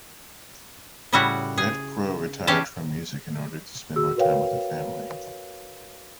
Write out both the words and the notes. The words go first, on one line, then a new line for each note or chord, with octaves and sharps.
Rhett Crowe retired from music in order to spend more time with her family.
A2 C#3 G3 E4 F#4 F#5
G#4
E3 C#4 G4 F5 G5 A5
F#4 G#4 E6
F#4 A#4 B4 C#5 F5 G5